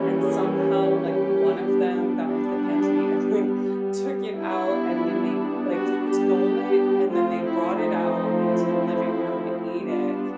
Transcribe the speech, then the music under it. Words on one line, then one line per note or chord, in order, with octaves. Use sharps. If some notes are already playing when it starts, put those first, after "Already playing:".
and somehow, like, one of them got into the pantry and, like, took it out, and then they b like, stole it, and then they brought it out into the living room and ate it,
Already playing: E3 G3 A#3 C#4
G#4
G4
G3 B3 D4
D4
G3 B3 D4 E4
F#4
G4
F3 A3 C4 F4
E4
D#4
E4
G3 B3 D4 F4